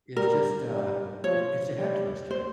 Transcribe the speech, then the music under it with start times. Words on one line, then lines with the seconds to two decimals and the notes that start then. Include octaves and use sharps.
is just a i it's a head twister.
0.17 G3 A#4
0.71 G3
1.24 F3 C#5
1.77 G3
2.31 C5